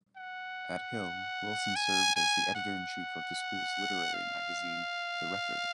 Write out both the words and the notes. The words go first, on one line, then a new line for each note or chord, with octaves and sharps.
At Hill, Wilson served as the editor-in-chief of the school's literary magazine, "The Record".
F#5
G#5
G#5
F#5
F5